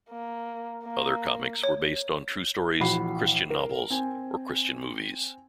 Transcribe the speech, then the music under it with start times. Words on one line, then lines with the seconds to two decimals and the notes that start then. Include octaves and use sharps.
Other comics were based on true stories, Christian novels, or Christian movies.
0.10 A#3
0.84 A#3
1.63 C#5
2.80 A#1 E3 F#4 B5 C7
3.50 A#4
3.90 C4 G#5